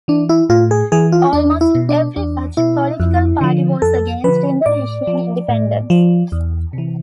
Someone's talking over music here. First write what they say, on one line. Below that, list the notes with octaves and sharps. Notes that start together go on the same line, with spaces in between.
Almost every Dutch political party was against Indonesian independence.
E3 D4
E4
A2 F4
G#4
E3 G#4
F4
E2 D4
E4
B2
D4
E2 D4
B2 E4
F2
D3 F3
F2 A4
D3 F3 B4
A2 D5
F3
A2
F3
E2
C3 E3